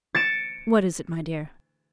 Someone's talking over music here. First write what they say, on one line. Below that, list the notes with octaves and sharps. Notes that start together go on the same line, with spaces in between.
"What is it, my dear?"
A6 C#7 D7 E7